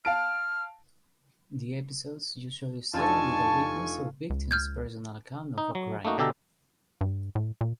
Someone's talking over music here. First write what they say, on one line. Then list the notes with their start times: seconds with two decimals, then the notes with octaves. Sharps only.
The episodes usually start with a witness or victim's personal account of a crime.
0.05 F5 A5 F6 D7
2.94 F1 D4 D#4 F4 A4 G#5 A5 C#6
4.30 C#2
4.51 F6 G6 G#6
5.58 D#4
5.75 F#3
6.05 A3 A#3 D#4 F#4
6.18 B2 D3 G4 A4 E5 A#5
7.01 G2
7.35 A2
7.61 A#2